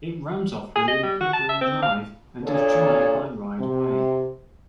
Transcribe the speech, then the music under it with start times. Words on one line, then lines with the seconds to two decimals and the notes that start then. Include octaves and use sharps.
It runs off William Pickering Drive and is joined by Ride Way.
0.76 G#4
0.88 D#5
1.03 G3
1.21 F#4
1.33 A5
1.49 E5
1.61 C4
1.82 F5
2.45 A#2 A#3 D4 G#4 A4 C#5
3.59 C3